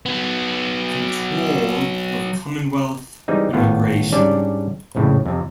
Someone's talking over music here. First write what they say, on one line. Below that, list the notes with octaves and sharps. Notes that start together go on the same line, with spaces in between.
Control of Commonwealth Immigration.
F#3 B3
E3 G3 G#3 C4 D#4
G#1 A2 B3 F4 E5 F5
G#2 G3 C#4 D4 D5
A#1 F2 A2 C#3 E4
F2 C3